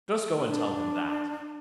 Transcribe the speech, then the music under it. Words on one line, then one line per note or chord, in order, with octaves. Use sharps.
Just go and tell him that.'
D4